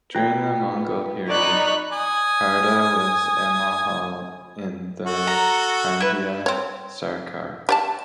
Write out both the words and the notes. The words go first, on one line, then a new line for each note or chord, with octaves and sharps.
During the Mughal period, Harda was a mahal in the Handia sarkar.
B3 F4 G5
D#4 D5 B5 C#6 F#6
G#5 D#6
F#4 A4
A#5
E4 B4
C4 C#5
G4 D5 A5